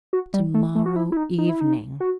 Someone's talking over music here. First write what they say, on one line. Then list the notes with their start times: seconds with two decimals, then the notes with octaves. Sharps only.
To-morrow evening!
0.13 F#4
0.34 G3
0.54 A3
0.75 A3
0.86 F#4
0.96 E4
1.12 E4
1.17 D#4
1.38 D#4
1.49 E4
1.61 D#4
2.00 F#4